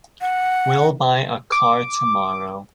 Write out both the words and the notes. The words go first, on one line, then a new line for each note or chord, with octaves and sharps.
We'll buy a car to-morrow.
F#5
D6